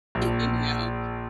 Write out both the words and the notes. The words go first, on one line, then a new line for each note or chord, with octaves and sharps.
you know,
A#1